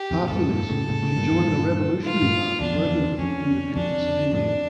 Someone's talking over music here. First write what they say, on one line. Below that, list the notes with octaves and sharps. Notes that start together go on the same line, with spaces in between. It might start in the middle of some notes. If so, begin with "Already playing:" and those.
After this she joined the revolutionary party working for the independence of India.
Already playing: G4
F2
A#2
F2 A2 A4
G2 A#2
A2 C#3
A2 C#3
A2 C#3
G2 A#2
E2 G2
G2 A#2
F4
G2 A#2
E2 D4
F2
E2
F2 C#4
F2 D4
F2 A2 D4